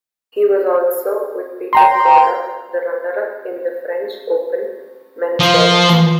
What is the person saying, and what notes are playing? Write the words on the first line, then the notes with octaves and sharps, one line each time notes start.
He was also, with Petr Korda, the runner-up in the French Open men's doubles.
G5 A#5 C6
F3